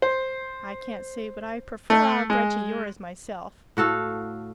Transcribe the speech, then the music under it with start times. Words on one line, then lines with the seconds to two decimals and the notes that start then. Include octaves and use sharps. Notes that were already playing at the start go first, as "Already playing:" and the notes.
"I can't say but I prefer our bread to yours, myself."
0.02 C5
1.90 A3
2.30 G#3
3.77 A2 F#4 A4 F5